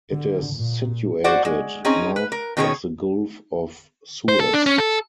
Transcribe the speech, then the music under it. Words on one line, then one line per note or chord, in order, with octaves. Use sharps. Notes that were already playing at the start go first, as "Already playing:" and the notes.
It is situated north of the Gulf of Suez.
D3
A#2
F#4 C5 D5 F#5
G#3
C4 C#4 D#4 G#4
B4
A#4
B2 D#3 C#4 G#4 C5 C#5
C5
A4
D4
C#4
A4